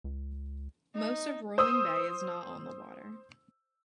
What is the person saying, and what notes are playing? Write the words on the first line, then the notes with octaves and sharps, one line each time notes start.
Most of Rolling Bay is not on the water.
C#2
D#4
C5 D#6 E6